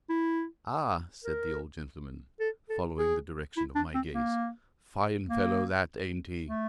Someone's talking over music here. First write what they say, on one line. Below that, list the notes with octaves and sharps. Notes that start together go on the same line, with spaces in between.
"Ah!" said the old gentleman, following the direction of my gaze, "fine fellow that, ain't he?"
E4
A#4
A4
A4
G#4
E4
D4
C4
A#3
A#3
A3